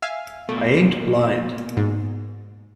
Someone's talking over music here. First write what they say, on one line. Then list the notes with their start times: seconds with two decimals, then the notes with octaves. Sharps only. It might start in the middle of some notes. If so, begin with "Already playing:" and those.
I ain't blind.
0.02 E5 F5 G#5
0.49 B2 A3 A#3
1.77 G#2